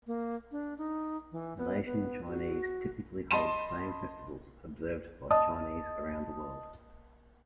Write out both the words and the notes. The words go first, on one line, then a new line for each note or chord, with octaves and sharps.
Malaysian Chinese typically hold the same festivals observed by Chinese around the world.
A#3
D4
D#4
E3
B3
B3
F#4
D#5 A5 B5 C6 D#7 E7
D#5 A5 D#6